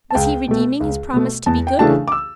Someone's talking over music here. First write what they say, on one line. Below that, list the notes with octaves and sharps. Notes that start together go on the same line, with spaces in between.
Was he redeeming his promise to be good?
A5
C#2 G5
B2 A3
C#2
B2 A3
E2 A5
G5
C#3 E3 A3 D4 A5
D6
E6